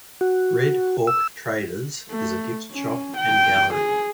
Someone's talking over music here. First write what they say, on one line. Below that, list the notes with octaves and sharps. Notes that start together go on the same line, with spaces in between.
Red Hawk Traders is a gift shop and gallery.
F#4
E6
A3
C#4
G5
G#4